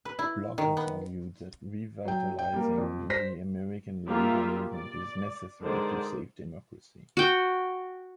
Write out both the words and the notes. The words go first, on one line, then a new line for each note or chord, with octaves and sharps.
Block has argued that revitalizing the American labor movement is necessary to save democracy.
B4
E4
D#3
B3
F#3 G5
G5
G3 A#3
F2
C5 A#6 B6
G3 A#3 F4 G#4 E5
D5
D3 D#3 G#3 C5 D5
F#4 G5